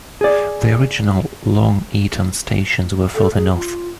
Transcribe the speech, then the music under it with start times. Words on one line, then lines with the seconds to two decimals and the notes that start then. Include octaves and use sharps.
The original Long Eaton stations were further north.
0.21 G#4 D5
3.15 A4
3.36 G#4
3.55 F4